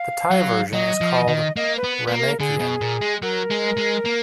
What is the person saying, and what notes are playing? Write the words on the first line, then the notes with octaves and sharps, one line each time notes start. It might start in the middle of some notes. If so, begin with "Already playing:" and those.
The Thai version is called Ramakien.
Already playing: F5
F#3
F#3 D#5
F3
D#5
D#3
A#3 D#5
B4
B3
B4
B3
A#3
A#4
D3 G#4
B2
A#2
G#3
F#3 A#4
G#3
G#3
A#3